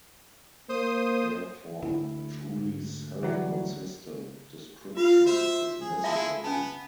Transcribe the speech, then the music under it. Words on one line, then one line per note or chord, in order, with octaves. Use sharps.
Therefore, a truly self-consistent description is necessary.
A#3 C5 D#6
D2 E4
G#1
E3 F#3 G3
F4 F5
F#4 C5 E5
G#4
G#3 E4 E5 F5 A5
B3 C#4 G#5 A5